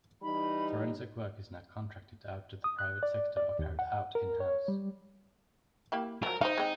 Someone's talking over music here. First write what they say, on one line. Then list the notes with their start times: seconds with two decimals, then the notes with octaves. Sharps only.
Forensic work is now contracted out to the private sector or carried out in-house.
0.22 E3 G3 D#4 B5
2.64 D#6
2.79 F#6
3.03 D5
3.37 D5
3.59 D#2
3.79 F#5
4.15 A#4
4.40 C#5
4.68 G3
5.92 A#3 E4 G4
6.23 F3 F#3 A#4
6.41 D#4 C5 F5
6.58 G#3 C4